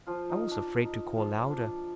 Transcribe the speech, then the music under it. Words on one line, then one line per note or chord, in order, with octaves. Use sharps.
I was afraid to call louder.
F3 F4
D#4
D4
D#4
F3 F4
D4